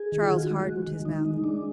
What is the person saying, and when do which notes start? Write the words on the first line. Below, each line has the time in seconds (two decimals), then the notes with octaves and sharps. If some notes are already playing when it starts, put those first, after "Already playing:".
Charles hardened his mouth.
Already playing: G#4
0.12 D#3
0.21 F4
0.30 D#3 F#4
0.50 G#3
0.56 F#4
0.69 G#3
0.87 D#3
1.05 D#3 D#4
1.25 G#3 D#4
1.44 G#3 D4